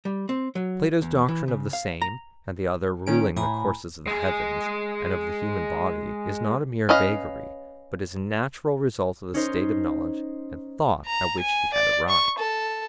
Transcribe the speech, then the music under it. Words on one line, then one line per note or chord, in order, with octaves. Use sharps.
Plato's doctrine of the same and the other ruling the courses of the heavens and of the human body is not a mere vagary, but is a natural result of the state of knowledge and thought at which he had arrived.
G3
C4
F#3
E2
E3
C#3
F5
A#5
D#3 C#4 D7
A2 G#5 A#5 B5
G#3 G#4
C#4 B4 D#5 F5
C#4 D#4 C5
A#5
G#5
D5
C#6
A4